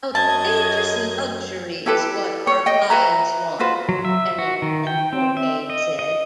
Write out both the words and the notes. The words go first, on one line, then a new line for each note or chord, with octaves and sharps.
"Outrageous luxury is what our clients want," Denning and Fourcade said.
F#2 D#5 A5 G#6
E4 G4 A4 B4
C#5
D#5 G5
B4 E5 A#5
F4 F#4 B4 C5
F#3
E5
F#4
D#3
G5
C4
E5
D#5
D#5